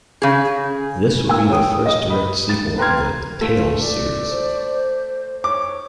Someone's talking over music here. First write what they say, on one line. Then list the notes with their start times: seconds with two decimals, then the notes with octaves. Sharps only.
This would be the first direct sequel in the "Tales" series.
0.22 C#3 G#4
1.27 G2 A#3 G#5 E6
1.49 G4 C#5 G5 D#6
1.86 D#5 D#6
2.10 B5
2.49 A6
2.78 B4 G5 A#5 C6 F6 G#6
3.41 A3 F4
3.80 D5
4.31 C5
5.44 C#5 D6